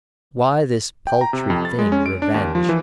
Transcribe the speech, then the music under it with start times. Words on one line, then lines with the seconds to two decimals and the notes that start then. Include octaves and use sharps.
Why this paltry thing, revenge?
1.07 G5
1.21 A#5
1.33 C3
1.50 F2
1.65 A6
1.79 G#3
1.92 C#4
2.06 D7
2.22 D4
2.34 D#2
2.55 F3
2.69 E3